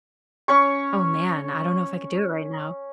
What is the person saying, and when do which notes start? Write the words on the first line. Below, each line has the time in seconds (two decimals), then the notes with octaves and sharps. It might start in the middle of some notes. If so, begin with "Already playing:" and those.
Oh, man, I don't know if I could do it right now.
0.48 C#4 C#5 C#6